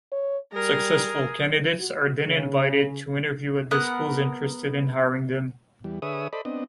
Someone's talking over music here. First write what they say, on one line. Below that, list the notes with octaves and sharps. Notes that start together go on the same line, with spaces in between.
Successful candidates are then invited to interview at the schools interested in hiring them.
C#5
G3 G#4 A#4
F#4
C#3
B3 A#4 F#5
E2 G3
D3 G#4 B4 C#5 E5 D#6
A4 C5 D5 D#5 B5
B3 C4 D4 D#5